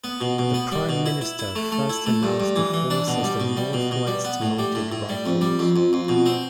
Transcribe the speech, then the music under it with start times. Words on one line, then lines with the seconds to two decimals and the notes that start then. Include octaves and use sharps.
The Prime Minister first announced the force as the "North West Mounted Rifles".
0.04 B3
0.21 B2
0.38 B2
0.54 B3
0.72 G3
0.89 B2
1.06 E4
1.21 E4
1.39 E4
1.55 A3
1.72 A3
1.90 E4
2.06 A3
2.23 G2
2.40 G2
2.56 E3
2.73 E3
2.90 D4
3.07 B2
3.24 G3
3.40 B2
3.57 G3
3.73 B2
3.91 B2
4.07 G3
4.25 B3
4.42 A2
4.59 G3
4.75 A2
4.92 A2
5.09 G3
5.26 F2
5.41 G3
5.59 F2
5.76 F2
5.93 F2
6.09 B2
6.26 C4